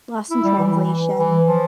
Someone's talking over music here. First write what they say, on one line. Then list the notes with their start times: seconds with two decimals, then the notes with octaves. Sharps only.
Lost In Translation.
0.30 E4
0.44 G3
0.59 E3
1.18 E3
1.47 F3